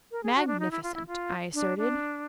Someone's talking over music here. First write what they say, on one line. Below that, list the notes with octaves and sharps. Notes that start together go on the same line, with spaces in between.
"Magnificent!" I asserted.
A#4
G#4
F#4
D4
D#4
E4
F4
E4
F4
D4
D4